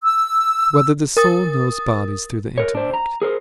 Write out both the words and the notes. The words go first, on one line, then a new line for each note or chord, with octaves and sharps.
Whether the Soul Knows Bodies Through the Intellect?
E6
A#4 D#6 A6
A#4 C#5
D4 C5
A#5
G#4 A#4 C5